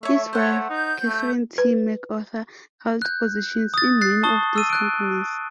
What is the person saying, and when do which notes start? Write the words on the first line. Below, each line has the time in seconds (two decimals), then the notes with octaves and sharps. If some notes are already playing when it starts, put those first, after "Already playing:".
His wife, Catherine T. MacArthur, held positions in many of these companies.
0.03 A3 C#5 E5
0.33 C5 C#5 F#5
0.70 D#4 G6
1.06 A3
1.58 B4
3.02 F#6 G6
3.74 D#6 A6
4.01 F#6 A6 C7
4.23 A5 C#6 D#6 G7
4.56 E6 D#7
4.70 F#6 D7